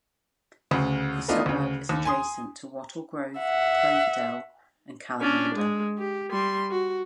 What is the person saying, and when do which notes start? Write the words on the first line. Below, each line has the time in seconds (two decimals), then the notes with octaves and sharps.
The suburb is adjacent to Wattle Grove, Cloverdale and Kalamunda.
0.71 D2 C#3
1.28 A3 B3 D4 D#4 F4
1.46 D2 C#3
1.89 D#2
2.05 G#5 C6 D#6
3.39 E5 F#5
5.21 C#4 D4
5.55 G#3
5.98 G4
6.31 G3 C6
6.71 F#4